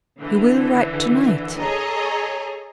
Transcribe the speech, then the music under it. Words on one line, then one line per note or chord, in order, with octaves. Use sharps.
'You will write to-night?
D3 E3
G#4 A4 C#5 D#5 G#5 A#5